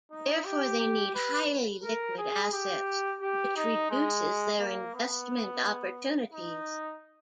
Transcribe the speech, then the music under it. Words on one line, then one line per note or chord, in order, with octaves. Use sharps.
Therefore they need highly liquid assets which reduces their investment opportunities.
D#4
G4
G4
B4
A#4
G#4
G4
G4
D#4
G#3
A#3
B3
D#4